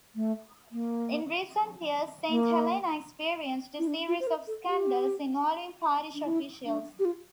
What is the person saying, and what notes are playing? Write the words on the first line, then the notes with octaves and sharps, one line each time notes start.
In recent years, Saint Helena experienced a series of scandals involving parish officials.
A3
A#3
A#3
E4
D4
F4
C5
A#4
A4
G4
D4
E4
D4
G4
F4